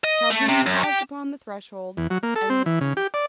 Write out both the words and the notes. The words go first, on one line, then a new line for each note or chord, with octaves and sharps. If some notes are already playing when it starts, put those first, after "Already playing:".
Calhoun paused upon the threshold, and listened.
D#5
A3
C3
F#2
G4
E2
F#3
A#3
A4
C4
E3
C#3
G4
D5